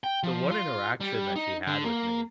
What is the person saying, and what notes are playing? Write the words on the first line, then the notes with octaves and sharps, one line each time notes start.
the one interaction that she had with me
G5
F3
F4
G3
D#4
D3
A#3